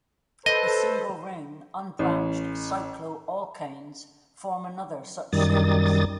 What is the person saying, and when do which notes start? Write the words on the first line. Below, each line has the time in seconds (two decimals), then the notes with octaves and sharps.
The single-ring unbranched cycloalkanes form another such series.
0.46 A4 B4 C5 D#5
1.99 A1
5.33 F#2 D#3 G3 D#6 A6